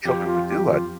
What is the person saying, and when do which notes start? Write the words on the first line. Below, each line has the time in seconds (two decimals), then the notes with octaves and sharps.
children would do, I'd
0.05 F2 G4
0.26 F4
0.48 G4
0.70 F4